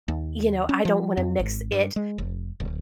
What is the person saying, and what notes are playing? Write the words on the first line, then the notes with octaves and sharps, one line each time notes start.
y you know, I don't wanna mix it
D#2
C#4
F3
F2
G#1
G2
G#3
F1
D1